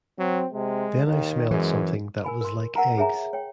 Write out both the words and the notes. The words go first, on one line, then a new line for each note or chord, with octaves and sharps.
Then I smelled something that was like eggs.
F#3 C4
C3 G#3
D#2 D#3
F#2 E3 G#3
A#4 G#5 B5
A#4 C6
A#4 F#5 G#5 A#5
G#4 C#5 E5 G#5 A#5
C#5 G5